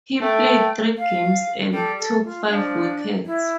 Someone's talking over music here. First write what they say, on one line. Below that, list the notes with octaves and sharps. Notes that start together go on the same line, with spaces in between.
He played three games, and took five wickets.
A3 G5
F5
G3 A4
A4
F4
F3 D4
E4